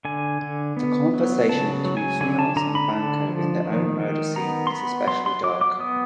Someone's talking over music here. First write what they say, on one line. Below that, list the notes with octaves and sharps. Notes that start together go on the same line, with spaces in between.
The conversation between Fleance and Banquo in their own murder scene is especially dark.
D3 G#5
D3
B3
F#3
C#3 A5
F#3
G#5
D3 G#5
A5
D3 A#5
B5
D3 A5
F3
D#3
D#3
B3 A#5
C6
B3 B5
F#3 C6
C6
F#3 D6
D6
B3 D#6